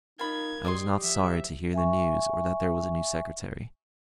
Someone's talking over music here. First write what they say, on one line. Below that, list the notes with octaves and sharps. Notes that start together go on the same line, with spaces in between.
I was not sorry to hear the news or that there was a new secretary.
D#4 F4 A#4 B5 G#6
G4 D5 D#5 C6
F3 E5
E5 G#5 C#6